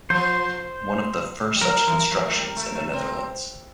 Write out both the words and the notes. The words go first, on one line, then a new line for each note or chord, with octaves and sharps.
One of the first such constructions in the Netherlands.
F3 C5
G3
F3 A#4
E3
F3
A3
G3
A3
A3
C4